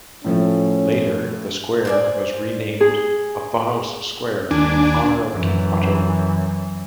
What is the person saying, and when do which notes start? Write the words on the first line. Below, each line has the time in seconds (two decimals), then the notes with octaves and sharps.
Later, the square was renamed "Othonos Square" in honor of King Otto.
0.24 A2 F3 A3 C#4
1.85 C5 D5 G#5
2.81 G#4
4.51 D#2 D4 G#5 D6
5.32 F#2 E3